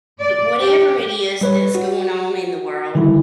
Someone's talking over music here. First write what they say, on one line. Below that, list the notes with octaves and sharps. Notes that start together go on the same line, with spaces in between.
Whatever it is that's going on in the world,
D5
G4
G3 B4 C#5
F#4
D3 D#3 G3 E4